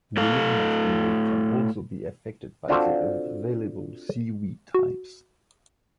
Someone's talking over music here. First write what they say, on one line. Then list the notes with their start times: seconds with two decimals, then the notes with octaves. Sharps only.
Willingness to mate can also be affected by the available seaweed types.
0.17 A2 A4 F5
2.68 C4 D4 F4 F#4 A4 C5
4.74 F#4